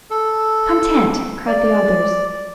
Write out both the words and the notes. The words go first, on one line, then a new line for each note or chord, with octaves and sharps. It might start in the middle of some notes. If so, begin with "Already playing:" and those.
"Content," cried the others.
A4
D5